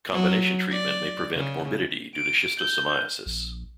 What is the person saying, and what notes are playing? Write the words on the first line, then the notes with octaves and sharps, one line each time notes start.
Combination treatment may prevent morbidity due to schistosomiasis.
F#3
D5
C#3
D7
G6
A#1